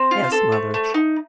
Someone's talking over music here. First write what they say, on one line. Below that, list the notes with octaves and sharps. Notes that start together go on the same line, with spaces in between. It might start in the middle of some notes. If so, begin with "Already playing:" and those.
'Yes, mother.
Already playing: C4 C5
F4
A4
A3
A3
D#4